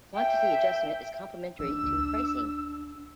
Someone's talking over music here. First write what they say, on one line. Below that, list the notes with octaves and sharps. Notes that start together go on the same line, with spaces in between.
Quantity adjustment is complementary to pricing.
E5 G5
A#1 D4 E6
D2